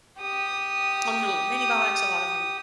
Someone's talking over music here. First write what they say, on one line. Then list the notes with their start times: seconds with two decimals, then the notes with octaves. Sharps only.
on their little minibikes. A lot of 'em,
0.21 G4 D#6